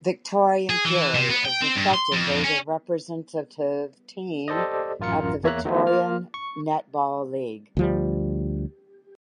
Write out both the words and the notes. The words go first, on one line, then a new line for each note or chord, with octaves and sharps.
Victorian Fury is effectively the representative team of the Victorian Netball League.
G#4
E3
C3
B3
G5
C4
G2
C6
F2
C#4
G4 A4 C5 D5 D#5
A1 F#2 F4 A#4 C#7
E2 A#3 C#5 E5 A#5 F#6
D#3 F#3 A3 B3 D#4 E4
A#3 F4 F6
C#6
D2 F3 G3